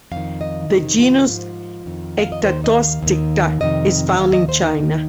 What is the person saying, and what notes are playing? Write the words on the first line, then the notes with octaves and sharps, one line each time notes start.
The genus "Ectatosticta" is found in China.
F2 D#3 F5
D#5
F2 C3 D#3 D#4
F4
G#2 F3
F2 D#3
F5
D#5
D#2 D#3 C5
D#5
F5
D#2 D#3
F2 C3 D#3 D#5
D#2 D#3 F5
D#5
C5
D#4
D#2 D#3